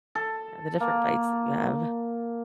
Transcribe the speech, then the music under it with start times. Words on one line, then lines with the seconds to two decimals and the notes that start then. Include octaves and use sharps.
Yeah. The different fights that you have.
0.15 A4
0.80 A#3